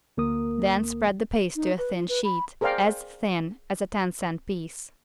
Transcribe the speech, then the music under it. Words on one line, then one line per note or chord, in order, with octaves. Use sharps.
Then spread the paste to a thin sheet, as thin as a ten-cent piece.
D2 A#3 A#4 D#6
D#4
B4
F4
B4
B5
G#4 A#4 C5 D5 F5 G5